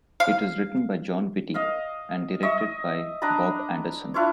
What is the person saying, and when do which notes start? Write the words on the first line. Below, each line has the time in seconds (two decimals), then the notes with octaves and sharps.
It was written by Jon Vitti and directed by Bob Anderson.
0.20 F5
1.54 D#5 F5
2.43 D#5 E5 C#6
3.22 D4 D#5 A#5 B5
4.14 D4 E4 F4 C#5